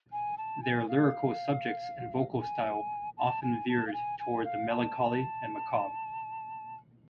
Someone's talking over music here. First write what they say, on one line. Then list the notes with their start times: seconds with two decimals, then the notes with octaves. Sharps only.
Their lyrical subjects and vocal style often veered towards the melancholy and macabre.
0.12 G#5
0.38 A5
0.63 G#5
0.89 F5
2.41 G#5
3.17 A5
3.42 G#5
3.69 A5
3.87 F5
3.93 G#5
4.19 G#5
4.45 F5
4.70 A5